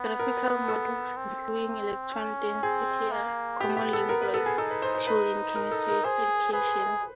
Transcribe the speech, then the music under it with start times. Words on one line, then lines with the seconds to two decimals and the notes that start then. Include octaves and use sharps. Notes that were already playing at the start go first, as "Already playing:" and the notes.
Graphical models, including electron density are a commonly employed tool in chemistry education.
Already playing: B3
0.19 A#4
0.68 A4
1.17 C4
2.14 C#4
2.63 C4 G#4
3.12 A#3
3.60 B3 G4
3.77 G4
3.93 A4
4.09 A#4
4.22 B4
4.34 A4
4.46 G#4
4.58 D#4 A4
4.71 B4
4.82 C5
4.95 C5
5.07 B4
5.56 A#4
5.71 A4
5.88 A#4
6.04 G#4 C5
6.52 G#4 B4